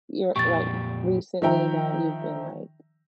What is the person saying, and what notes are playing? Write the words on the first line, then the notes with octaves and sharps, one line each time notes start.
you're like, recently that you've been, like,
F2 A#2 G4 C#6 A6
D#3 F3 E5 G5 A#5